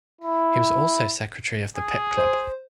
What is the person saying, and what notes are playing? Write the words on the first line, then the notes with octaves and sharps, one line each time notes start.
He was also secretary of the Pitt Club.
E4
G#4
C5